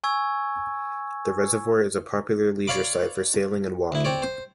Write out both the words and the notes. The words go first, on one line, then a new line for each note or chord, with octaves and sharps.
The reservoir is a popular leisure site for sailing and walking.
G#5 C#6 E6 G#6
C#5 D5 F5 B5 D6
D2 E4
C4 C#5 D5
C5